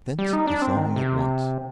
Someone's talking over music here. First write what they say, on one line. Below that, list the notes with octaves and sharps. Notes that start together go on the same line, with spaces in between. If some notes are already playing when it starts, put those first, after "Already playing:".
Thence I saw him at once.
G3
D#4
D4
C4
D#3
C3